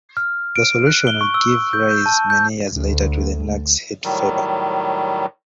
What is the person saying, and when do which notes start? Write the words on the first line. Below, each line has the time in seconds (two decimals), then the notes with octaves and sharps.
The solution would give rise many years later to the Nag's Head Fable.
0.17 F6
0.56 D7
0.87 F#6
1.07 G7
1.21 C#6
1.34 E6
1.73 G6
1.90 G6
2.06 A5
2.30 G6
2.73 D2
4.04 A2 D#3 F#3 G3